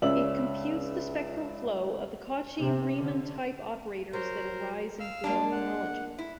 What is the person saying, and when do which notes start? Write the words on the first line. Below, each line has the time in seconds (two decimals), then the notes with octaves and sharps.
It computes the spectral flow of the Cauchy-Riemann-type operators that arise in Floer homology.
0.02 C#2 C#4 D5 E5 E6 F#7
2.56 C3
2.98 D3
4.13 F#3 A#4 C5
5.00 F5 E6 F6
5.24 G#3 A#3 D4 A#4
5.52 F#5
6.18 E4